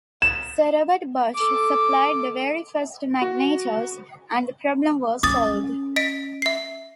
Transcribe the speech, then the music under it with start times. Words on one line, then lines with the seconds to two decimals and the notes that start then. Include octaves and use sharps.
Sir Robert Bosch supplied the very first magnetos and the problem was solved.
0.22 E7
1.34 A4 D6
3.22 F#4
5.23 C#4 D6 D#6 A6
5.96 D#5 B6 D7
6.42 E5 C7